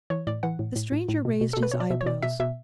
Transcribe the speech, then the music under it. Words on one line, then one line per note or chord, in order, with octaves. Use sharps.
The stranger raised his eyebrows.
E3 C#5
A2 D5
E3 F#5
A2
A2
A2
A2
B2
B2
B2 A4
B4
B2 C#5
D5
B2 E5
C#5
B2 D5
B2 E5
B2 E5